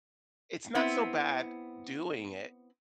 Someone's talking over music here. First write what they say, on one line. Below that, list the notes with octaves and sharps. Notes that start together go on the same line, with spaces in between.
it's not so bad doing it,
B3 C4 E4